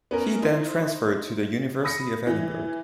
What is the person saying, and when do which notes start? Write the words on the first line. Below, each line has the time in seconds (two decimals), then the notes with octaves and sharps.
He then transferred to the University of Edinburgh.
0.11 B3 C#4 A#4
0.43 D#4 E4 C5
1.84 B5 D#6 A#6 C#7
2.27 E3